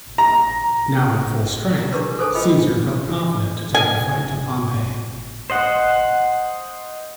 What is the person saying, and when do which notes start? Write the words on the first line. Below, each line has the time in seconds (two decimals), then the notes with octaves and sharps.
Now at full strength, Caesar felt confident to take the fight to Pompey.
0.18 A#5
1.79 A#5
1.92 D4 G4 G#4 A#4 B4 C#5
2.19 A4 B4 C5 G#5 A5 D6
2.35 F4 A#4 D#5 G5 B5
2.49 D4
3.75 G#5
5.50 C5 D#5 F#5